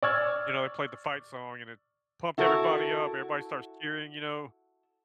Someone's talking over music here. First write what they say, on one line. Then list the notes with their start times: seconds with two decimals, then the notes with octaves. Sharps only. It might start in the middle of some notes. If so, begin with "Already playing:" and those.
you know, they played the fight song, and it pumped everybody up. Everybody starts cheering, you know.
0.03 D5 C#6 E6 F6 G#6 A6
2.38 E4 F#4 A4 A#4